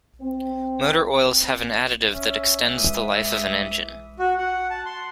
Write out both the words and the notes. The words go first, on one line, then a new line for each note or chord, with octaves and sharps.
Motor oils have an additive that extends the life of an Engine.
C4
C#4 E5
E3 G#3 D#6
F#4
F#5
A5
C6